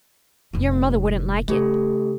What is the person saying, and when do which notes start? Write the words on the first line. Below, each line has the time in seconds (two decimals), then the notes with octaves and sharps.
"Your mother wouldn't like it."
0.53 F1 A#2
1.48 C#3 A3 G4 A4